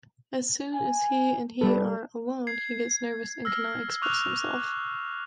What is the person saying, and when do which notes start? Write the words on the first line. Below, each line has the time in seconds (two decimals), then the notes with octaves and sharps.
As soon as he and he are alone, he gets nervous and cannot express himself.
0.74 G#5
1.61 G3 A4 B4
2.47 G#6 C7
3.45 E6 F6 A#6
4.02 C#6 D6 F6 F#6 F7